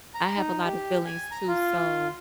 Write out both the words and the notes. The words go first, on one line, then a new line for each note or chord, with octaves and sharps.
I have a lot of fillings too, so,
A#5
D#4
G4
G#5
A#5
F4